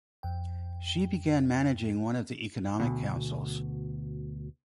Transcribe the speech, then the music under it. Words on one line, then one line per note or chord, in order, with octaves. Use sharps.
She began managing one of the Economic Councils.
F2 G5
D2 B2